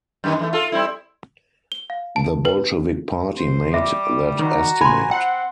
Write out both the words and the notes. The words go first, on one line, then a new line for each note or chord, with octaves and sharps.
The Bolshevik party made that estimate.
F#2 D#3 B3
E3 G#3 A3
F4 A4
G3 C4 E4
G7
F5
A5
B4
C5
G3 E5 D6
D#3 F#4 A#5
G#5 B5 C6
C4 F#5 G5